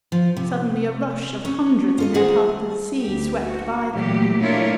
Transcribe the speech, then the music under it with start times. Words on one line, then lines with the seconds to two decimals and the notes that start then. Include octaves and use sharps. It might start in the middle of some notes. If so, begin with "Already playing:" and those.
Suddenly, a rush of hundreds, in their path to the sea, swept by them.
0.12 F3
0.37 C3
1.45 C#4
1.98 F4 A4 D#5
2.14 D#2 G3 G#4 C5 D#5 F#5
3.01 D2 G4
3.40 F#4
3.93 A#2 E3 F#3 A3 A#3 G4
4.41 A3 D4 E4 F4 A#4 C#5